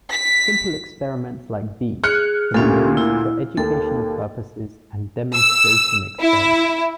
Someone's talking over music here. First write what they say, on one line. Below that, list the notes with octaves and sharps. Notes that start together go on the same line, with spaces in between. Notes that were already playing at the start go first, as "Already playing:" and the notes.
Simple experiments like these can be used for educational purposes and demonstration experiments.
B6
G#4 F6 F#6 C#7
D2 A#2 C#4 G4 A4
E4
D#2 A4
E6
E4